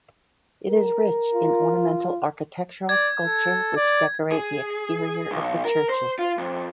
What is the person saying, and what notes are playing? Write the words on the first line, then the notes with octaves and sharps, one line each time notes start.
It is rich in ornamental architectural sculpture which decorate the exterior of the churches.
A#4
F4
D5 G#6
A4
D5
G#4
B1
A#4
C5
F4
F2